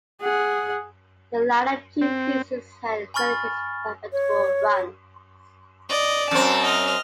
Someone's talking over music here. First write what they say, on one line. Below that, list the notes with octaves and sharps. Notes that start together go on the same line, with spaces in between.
The latter two pieces had merely respectable runs.
G#4 F#5
C4
G#5 B5 C#6 F6 A6
C#5
D5 D#5
F#2 C4 A5
D#5 F6